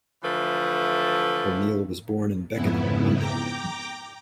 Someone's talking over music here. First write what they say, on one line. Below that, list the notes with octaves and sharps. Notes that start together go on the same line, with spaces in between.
O'Neil was born in Beckenham, London.
D3 E3 F3 A3 B4
F2 G#2 C#3 B3 E4
G5 A#5 D6